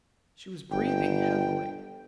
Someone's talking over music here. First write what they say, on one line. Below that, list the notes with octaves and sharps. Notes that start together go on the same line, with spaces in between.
She was breathing heavily.
G1 G5